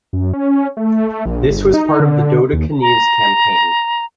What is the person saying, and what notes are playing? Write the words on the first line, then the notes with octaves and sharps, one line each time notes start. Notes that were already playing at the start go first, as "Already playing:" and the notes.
This was part of the Dodecanese Campaign.
F#2
C#4
A3
A#1
G1
D#4
D3
D#2
A#5